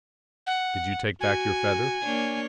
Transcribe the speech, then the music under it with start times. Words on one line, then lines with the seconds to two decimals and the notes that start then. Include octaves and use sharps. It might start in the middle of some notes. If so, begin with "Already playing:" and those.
Did you take back your feather?
0.47 F#5
1.21 F#4 G#5
2.04 A#3 D4 C#5